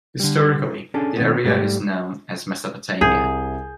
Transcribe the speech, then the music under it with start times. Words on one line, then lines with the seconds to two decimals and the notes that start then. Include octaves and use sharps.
Historically, the area is known as Mesopotamia.
0.20 D3 G3
0.94 C#4 D4 G#4 A4
1.16 B2 D#3 F3 A3 B3 C4
1.45 G#2 G3 A3 B3 G4 D5
3.01 C2 C3 G#4 G6